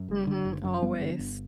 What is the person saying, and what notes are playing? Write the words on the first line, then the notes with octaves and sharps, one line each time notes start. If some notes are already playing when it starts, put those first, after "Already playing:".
Mhm, always.
Already playing: F#2
F#1
D3
F#1
F#2
G1 G3 B3
D3
G1